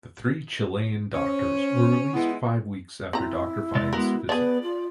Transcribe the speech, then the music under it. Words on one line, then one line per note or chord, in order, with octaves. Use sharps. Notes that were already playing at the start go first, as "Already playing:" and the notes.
The three Chilean doctors were released five weeks after Doctor Fine's visit.
C#4 C5
E3 G#3 B3 E4
C4 E4 A#5
C3 G#3 D5
G#3 B3 F#4 A#4
B3 D4 G#4 D5
F4